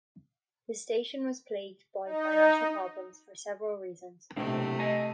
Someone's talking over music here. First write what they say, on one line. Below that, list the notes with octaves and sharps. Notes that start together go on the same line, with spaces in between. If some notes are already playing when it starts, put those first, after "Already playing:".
The station was plagued by financial problems for several reasons.
D#4
B1 A2 C3 A3 D4
D#5 G#5 A5